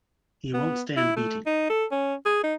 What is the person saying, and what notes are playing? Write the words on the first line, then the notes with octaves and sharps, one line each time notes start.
He won’t stand beating.
B3
E4
A3
D#4
A4
C#4
G#4
D#4